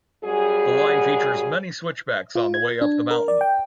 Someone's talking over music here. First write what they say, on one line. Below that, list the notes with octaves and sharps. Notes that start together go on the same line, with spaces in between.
The line features many switchbacks on the way up the mountain.
F#2 G3 F#4 G#4
F4
G#6
D4
A#4
D5
G5